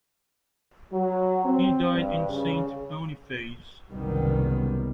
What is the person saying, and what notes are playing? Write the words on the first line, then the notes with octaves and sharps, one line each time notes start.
He died in Saint Boniface.
F#3
C4
G2
C#3
F#1 C2 D#3 G3 B3